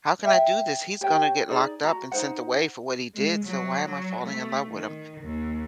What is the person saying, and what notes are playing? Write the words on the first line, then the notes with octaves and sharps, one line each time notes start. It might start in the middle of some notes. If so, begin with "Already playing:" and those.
how can I do this? He's gonna get locked up and sent away for what he did, so why am I falling in love with him?"
E5 G5
G4 C#5 G5
D#4 G#4 D5
F#4 A#5
D#4 C5 F#5
G#3
F#3
F#3
A3
D#3
D#2